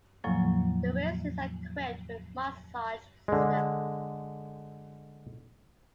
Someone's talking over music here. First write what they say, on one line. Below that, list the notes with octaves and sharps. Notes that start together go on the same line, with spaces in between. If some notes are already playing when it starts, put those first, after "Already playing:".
The rear seats are equipped with a massage system.
E2 A2 C#3 F3 F#3 A#3
D3 G#3